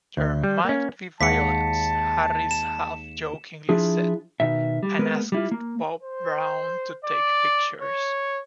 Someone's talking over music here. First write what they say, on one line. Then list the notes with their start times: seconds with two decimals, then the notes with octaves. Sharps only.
"There might be violence," Harris half-jokingly said, and asked Bob Brown to take pictures.
0.17 D2
0.44 G3
0.65 A#3 C#4
1.21 D#2 G#3 F#5 A5 B6 C#7
2.51 E7
3.69 F3 D4 E4 F4 G#4
4.40 B2 D#3 E5
4.83 G3
4.99 G#3 A#3 B3 A#4 B4
5.32 G3 E4 F4
5.51 A#3
6.03 C5
7.04 D5
7.82 C#5